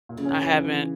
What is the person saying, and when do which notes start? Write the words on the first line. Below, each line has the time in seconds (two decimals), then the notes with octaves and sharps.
I haven't.
0.09 A#2
0.17 C#3
0.25 C#4
0.41 E3
0.57 E3